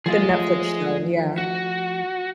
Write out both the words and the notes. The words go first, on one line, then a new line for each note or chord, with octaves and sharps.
The Netflix show, yeah.
F3 A3 F4 G#4 D#5
F#4